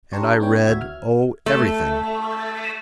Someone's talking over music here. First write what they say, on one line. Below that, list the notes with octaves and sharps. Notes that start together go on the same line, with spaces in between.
And I read, oh, everything.
D4 G4 A5 A#5 C6 C#6
B3 D4 E4 C#5 G5
D2 F#4 E5 G#6
F6
A3